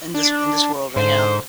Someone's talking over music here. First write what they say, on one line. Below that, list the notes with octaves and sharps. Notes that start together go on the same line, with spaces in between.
in this in this world, right now.
D4
G#2 D3 C5